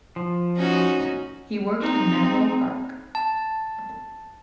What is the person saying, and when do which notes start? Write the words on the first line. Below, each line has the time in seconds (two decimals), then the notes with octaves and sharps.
He worked in Menlo Park.
0.16 F3
0.56 C#4 D#4 F#4
1.81 C4 D#4
3.15 A5